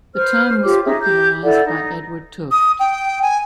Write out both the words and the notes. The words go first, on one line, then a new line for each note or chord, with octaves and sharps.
The term was popularized by Edward Tufte.
B4 C5 F6
F4 G4 C#5 D6
D#4 G#4 E5
G4 G6
E4 A4 D5 F#5
D#4
D#6
G5
G#5